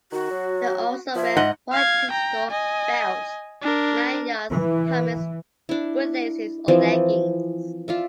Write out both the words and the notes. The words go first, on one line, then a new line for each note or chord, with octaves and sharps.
They also wear white pistol belts, lanyards, helmets, boot laces or leggings.
D#3 F#4
F#3
F3 E5
G#2 D#5 F#5
F5 G#6
G5 A#5
D#5 G#5
D4 A#4
E3
D4 E4
E3 F3 C4
F4 D5 E5